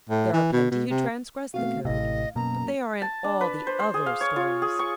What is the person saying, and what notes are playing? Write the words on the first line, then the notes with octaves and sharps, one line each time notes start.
There are plenty who transgress the code, but they are in all the other stories.
A2
E3
B2
B2
C3
B2 A3 C4 F#4 F5
A1 A2 C3 D#5 F5
F#2 B2 A#3 A#5
A5
D4
B4
C5
C5
G#4
F5
C#5
F4
G#4
C#6